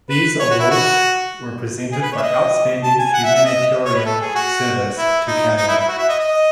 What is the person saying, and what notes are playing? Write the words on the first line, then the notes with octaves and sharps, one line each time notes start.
These awards were presented for outstanding humanitarian service to Canada.
B4
C#5
F#4
E4
F#4
G#4
B4
C#5
E5
D#5
A5
G#5
F#5
E5
E5
D#5
C#5
B4
A4
G#4
F#4
E4
D#4
D#4
E4
E4
F#4
E5
D#5
D#5